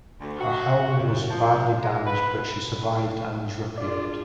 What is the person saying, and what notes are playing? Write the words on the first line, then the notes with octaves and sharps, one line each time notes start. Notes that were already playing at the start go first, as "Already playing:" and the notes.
Her hull was badly damaged, but she survived and was repaired.
D2
F#4
F#2
F3
G#3
B4
D4 F4 G#4 D5